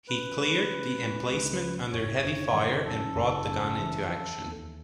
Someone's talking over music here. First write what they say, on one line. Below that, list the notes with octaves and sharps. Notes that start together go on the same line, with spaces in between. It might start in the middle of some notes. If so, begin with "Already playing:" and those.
He cleared the emplacement under heavy fire and brought the gun into action.
C#3 B4
G#3
C#3
G#3
C#2
C#3
F#1 C#5
F#1
D#3
F#2 A4
F#1
F#2
E3
E3
D#2